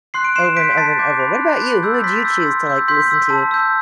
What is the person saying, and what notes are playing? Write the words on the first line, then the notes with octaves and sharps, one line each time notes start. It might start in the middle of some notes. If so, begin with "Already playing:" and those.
Over, and over, and over. What about you? Who would you choose to, like, listen to
C6 F#6 C7
D7
C6 C7 E7
G6 B6 D7
A5 A6 C7
D6 G6
B5
F#6
B5
E6 G6
A6
C6 G6 B6
E6 G6
C6
E6 G6
C6 G6 B6
E6 G6
A5
E6 G6